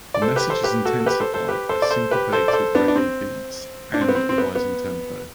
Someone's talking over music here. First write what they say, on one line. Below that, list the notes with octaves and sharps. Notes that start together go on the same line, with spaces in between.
The message is intensified by syncopated Reggae beats, and a rising tempo.
D5
A4 C5
G4 B4
A4 C5
G4 B4
F#4 A4
A4
G4 B4
A4 C5
A4 C5
G4 B4
A4 C5
D5
A4 C5
G4 B4
A4 C5
D5
A4 C5
B3 D4
D4
C4
D4
C4
B3
C4
C4
B3
B3